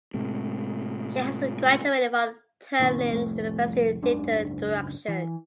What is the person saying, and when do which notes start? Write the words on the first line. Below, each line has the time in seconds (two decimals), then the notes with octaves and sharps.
She has graduated from Tallinn University in theatre direction.
0.14 A2 C3 G#3
2.79 F#1 A#2 D#3 C4
3.13 C2 F2 A2 A3
4.02 F#1 C#2 G#2 D4
5.08 E3